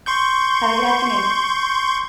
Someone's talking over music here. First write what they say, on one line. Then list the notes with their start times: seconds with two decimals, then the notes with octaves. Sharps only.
Have a good afternoon.
0.06 C6 C#6 G6